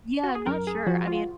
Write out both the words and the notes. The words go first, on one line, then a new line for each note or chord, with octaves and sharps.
Yeah. I'm not sure. I mean
F#4
G#4
F#2 A#4
G#4
F3 F#4
F4